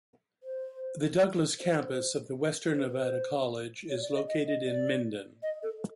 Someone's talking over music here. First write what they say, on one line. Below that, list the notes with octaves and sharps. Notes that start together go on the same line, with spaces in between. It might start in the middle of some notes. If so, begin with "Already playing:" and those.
The Douglas campus of the Western Nevada College is located in Minden.
C5
C5
C5
B4
C5
C#5
D5
D#5
D#5
D#5
D5
D#5
A4